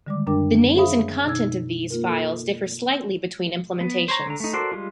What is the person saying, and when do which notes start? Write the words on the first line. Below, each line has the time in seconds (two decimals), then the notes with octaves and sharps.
The names and content of these files differ slightly between implementations.
0.06 D3 D#3 G3 G#3 D5 D6
0.27 F#2 G3 D4 A#4 G5 D6
0.75 G#4 C5 E5 F5 B5 D#6
1.25 B2 D#4 E6 G#6
1.90 A#3 F4 A#4
2.07 A4
3.81 B3
4.08 C5 C#5 A#5
4.27 D3 A#5
4.40 A3 D#4
4.53 F#4 A4 A#4 C5 D5
4.72 G3 G#3 F4